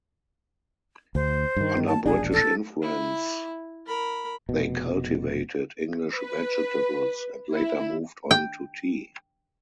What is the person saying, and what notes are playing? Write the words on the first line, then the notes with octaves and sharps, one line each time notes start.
Under British influence they cultivated English vegetables and later moved on to tea.
D2 C5
G2 D#3
A5
E1 A#1 D4 G#4
A4
E4
A#4 B5
F1 B2
B4
E4
G5